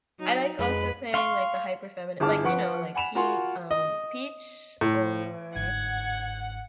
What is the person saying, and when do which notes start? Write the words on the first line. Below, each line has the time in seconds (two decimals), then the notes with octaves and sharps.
I like also playing, like, the hyper feminine like, you know, like Pe um, Peach or
0.20 F#3 D#4
0.59 F2 G#3 B4 B5
1.14 F5 C6 C#6
2.20 G1 E4 G#4 A5 D6 F6
2.43 F3 B4 F#5 C#6 D7
2.94 F#5 G#5 B5 E7 F7
3.15 F4 F#4 A#4 F#5 G#5 C6
3.71 D#5
4.81 A2
5.55 G1 G#2 F#5 G#6